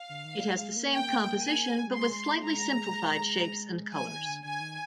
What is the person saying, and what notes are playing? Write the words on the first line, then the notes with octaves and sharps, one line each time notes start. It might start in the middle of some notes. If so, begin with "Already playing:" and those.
It has the same composition but with slightly simplified shapes and colors.
Already playing: F5
D3
D#3
G3
G#3
G#3
A#3
G5
G#5
G3
G#3 C6
A#3
G#3 A#5
G3 G#5
F3
D#3
D3
D3 G#5
D#3